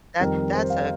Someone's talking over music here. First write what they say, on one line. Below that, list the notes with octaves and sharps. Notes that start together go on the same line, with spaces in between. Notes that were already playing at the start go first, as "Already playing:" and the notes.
that that's a
F2 D#3 G3 A#4
C5
F5